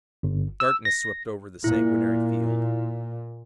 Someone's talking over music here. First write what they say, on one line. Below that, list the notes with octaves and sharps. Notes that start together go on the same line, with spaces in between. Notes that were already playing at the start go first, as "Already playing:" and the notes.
Darkness swept over the sanguinary field.
G1
E6
A#6
A#2 E4